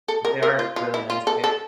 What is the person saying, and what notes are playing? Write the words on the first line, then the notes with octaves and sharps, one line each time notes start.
but they are really nice kicks.
A4
A#4
A#4
F4
F4
E4
F4
A4
A4